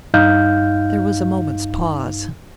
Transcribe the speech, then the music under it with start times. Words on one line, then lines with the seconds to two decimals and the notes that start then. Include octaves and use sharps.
There was a moment's pause.
0.14 G2 D#4 F5 G6